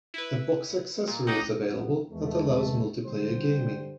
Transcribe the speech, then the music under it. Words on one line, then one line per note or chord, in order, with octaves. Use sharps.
A box accessory is available that allows multiplayer gaming.
E4 B4
A#2
C#2 D#4 G4 F#5
G1 F#2 E3 F3 B3
E2 G#3 A3
D3 G3 C5